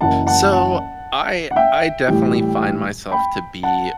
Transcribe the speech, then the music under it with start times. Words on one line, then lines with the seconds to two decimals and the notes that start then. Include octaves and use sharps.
So I I definitely find myself to be
0.01 F#1 F#2 E3 F#5 A5
0.27 F#5 A5
0.52 F#5 A5
1.51 F#5
1.56 E5 G5
2.08 A2 E3 G3
3.11 G5 B5
3.63 F#5 A5